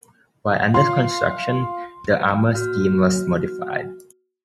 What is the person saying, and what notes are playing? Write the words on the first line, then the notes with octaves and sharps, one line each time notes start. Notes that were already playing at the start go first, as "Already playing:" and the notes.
While under construction, the armor scheme was modified.
F4 F5 C6
A#3 F#4 F6